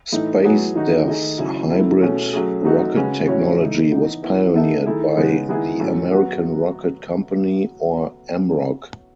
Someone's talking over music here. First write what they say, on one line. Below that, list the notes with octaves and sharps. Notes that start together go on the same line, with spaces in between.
SpaceDev's hybrid rocket technology was pioneered by the American Rocket Company, or AmRoc.
A2 E3 A3 D#4
F#3 B3 E4 G#4 C#5
D#3 A3 D#4 F#4
D#3 A3 D#4 G#4 D#5
C#3 F#3 C#4 E4
F#3 A3 E4 A4
B2 A3 C#4 G#4 C#5
F#3 A3 C#4 G#4
F#3 A3 D#4 F#4
C#3 G#3 C#4 F#4 B4
A2 F#3 C#4 F#4 C#5
C#3 E3 A3 D#4
E3 B3 D#4
B3 E4 B4
B3 D#4 A4 E5
D#3 A3 E4 G#4
C#3 G#3 B3 D#4
D#3 G#3 B3 E4 G#4
A2 F#3 A3 C#4
F#3 B3 F#4